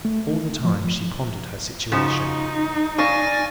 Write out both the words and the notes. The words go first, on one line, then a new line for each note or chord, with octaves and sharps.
All the time, she pondered her situation.
A3
F3
F3
C#3 F3 D#4 F#4
D4 F5 G#5 C#6 A6 A#6